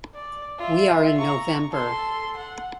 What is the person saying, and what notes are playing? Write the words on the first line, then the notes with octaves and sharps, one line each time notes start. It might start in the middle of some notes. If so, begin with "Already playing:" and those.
We are in November.
D5
F4 E5
A#5 C#6
A4 C6
F#5